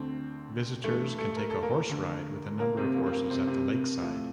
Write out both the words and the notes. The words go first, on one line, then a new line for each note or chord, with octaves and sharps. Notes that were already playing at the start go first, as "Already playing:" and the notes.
Visitors can take a horse ride with a number of horses at the lakeside.
Already playing: D2 D3 A3 C4
G2 E3 A3 A4
A3 A4
A#4
A4
A#3 A#4
D2 D3 A3
A#3 A#4
C3 C4
G2 F3 A3 A#3
C4
A#3
C3 C4
C3 C4
A2 F3 A3